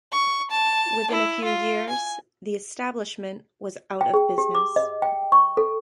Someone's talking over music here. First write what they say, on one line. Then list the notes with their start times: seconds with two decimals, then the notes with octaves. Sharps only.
Within a few years, the establishment was out of business.
0.12 C#6
0.51 A5
1.11 E4
1.44 F4
1.89 G#5
4.01 G5
4.14 G#4
4.38 G4
4.55 D6
4.76 D#5
5.02 G5
5.32 C#6
5.57 A4